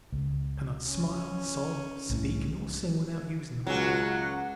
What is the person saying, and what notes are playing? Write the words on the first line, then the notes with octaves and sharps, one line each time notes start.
We can not smile, sob, speak nor sing without using them.
C#2
C#4
C2 A2
C#2 F#3 C#4 F#5